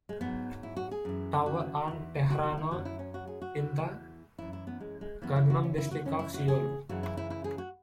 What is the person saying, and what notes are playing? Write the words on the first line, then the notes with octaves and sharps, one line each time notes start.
Tower on Teheranno in the Gangnam district of Seoul.
G#3
G#2 F#3 B3
E4
F#4
G#4
F#2 E3
F#4
E2 E3
F#4
F#4
E4
F#2 F#3 F#4
E4
C#4
F#4
G#4
F#4
E2 E3
F#2 E3 E4
E4
B3
G#3
G#3
F#2 E3 B3
E4
F#4
C#4
E4
F#4
F#2 E3 C#4
E4
F#4
G#4
F#2 C#3 E3 F#4
E4
E4
E4
G#4
F#4